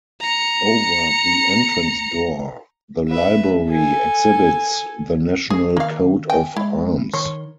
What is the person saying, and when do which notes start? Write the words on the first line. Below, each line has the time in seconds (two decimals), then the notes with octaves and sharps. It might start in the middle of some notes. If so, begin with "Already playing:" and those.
Over the entrance door, the library exhibits the national coat of arms.
0.21 A#5 C#7
3.09 B4 E5
3.68 A4 G#5
5.50 G#4
5.77 D#3 A#3 F5
6.30 G5 G#5
6.56 G#3 E4
7.13 D#3 C#5 C6